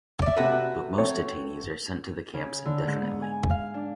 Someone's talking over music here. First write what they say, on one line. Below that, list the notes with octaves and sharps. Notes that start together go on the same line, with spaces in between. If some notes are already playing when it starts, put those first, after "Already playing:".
But most detainees are sent to the camps indefinitely.
D5 E5
C3 F#4 A4 B4
A3 C4 C#5
C#3
D3
G#2
B3
G#5
F5
D4